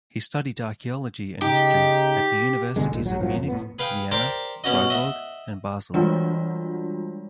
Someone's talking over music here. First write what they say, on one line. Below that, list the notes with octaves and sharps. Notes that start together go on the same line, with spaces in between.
He studied archaeology and history at the Universities of Munich, Vienna, Fribourg and Basel.
C#3 D#4 G4
G#1 B2 D3 G#3
A#1 D#2 A#2
A#1 F#3
G#1 A#2 F3 F#3
F2
A2 B3
G#4 B4 F5 G5
G4 A#4 C5 D5
B2 C#4 F#4 D#5
D#5 E5 F#5
E3 G3 G#3 D4 F4 F#4